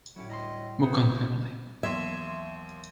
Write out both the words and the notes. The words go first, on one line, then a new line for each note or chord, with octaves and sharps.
Mukang Family.
A2 D3 F#3 C#4 E4 G4
D2 G3 D#5 A#5 C6
B3 E4 F4 A4 C5
D#2 E3 F#3 B3 E5 C6 G#6